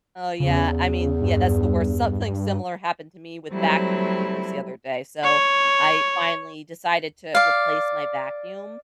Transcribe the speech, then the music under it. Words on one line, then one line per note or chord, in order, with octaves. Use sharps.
Oh, yeah, I mean yeah, that's the worst, something similar happened to me with vacuum cleaners the other day, so, I finally decided to replace my vacuum,
E2 C#3
G2
F#3 G3 A3 C4 E4
C#5
D5 F5